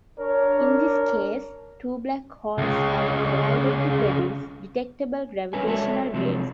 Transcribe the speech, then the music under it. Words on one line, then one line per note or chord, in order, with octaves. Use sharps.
In this case, two black holes had collided to produce detectable gravitational waves.
D4 A#4 C#5
C#2 C#3
G3 C#4 A#4 B4 C#5 G#5
G#3 F#4 A4 C#5 D5 E5
C3 F3 F#3 G#3 C4